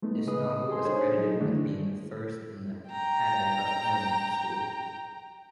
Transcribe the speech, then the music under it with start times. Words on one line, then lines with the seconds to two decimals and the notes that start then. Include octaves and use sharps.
This novel is credited with being the first in the "Had-I-But-Known" school.
0.02 G#3 A3 B3 D#4
0.27 C#3 G#4 B4 D#5 D#6
0.70 G#4 A4 D#5 G#5 C6
0.85 D4 D#4 G#4 C5 C#5
1.17 F#3 D#4
1.39 D3 D#3 G#3 A3 D4 E4
2.90 G5 A#5